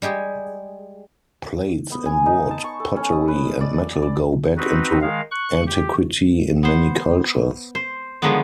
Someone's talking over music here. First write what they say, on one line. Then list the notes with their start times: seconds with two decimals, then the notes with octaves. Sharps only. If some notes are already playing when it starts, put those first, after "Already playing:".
Plates in wood, pottery and metal go back into antiquity in many cultures.
0.02 G3 G#3 G4 G#4
1.92 B3
2.06 G#5
2.26 D#4
2.51 A5
2.64 C#6
2.80 A4
2.97 C#4
3.12 D#5
3.28 B4
3.61 D5
4.02 D5
4.57 C4 D#4 F#4 B4
5.01 D#3 G#3 F5
5.31 C#6 F#6
5.67 G4
6.63 B3 C5
7.75 C5
8.22 D3 D#3 F3 F#3 G#3 B3